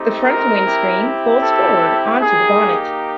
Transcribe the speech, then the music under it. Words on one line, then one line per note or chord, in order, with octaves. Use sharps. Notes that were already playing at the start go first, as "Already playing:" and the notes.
The front windscreen folds forward onto the bonnet.
Already playing: A3 C4 D#4 G4
A#4
C4 E4 G4
A4
A#3 D#4 G4 G#4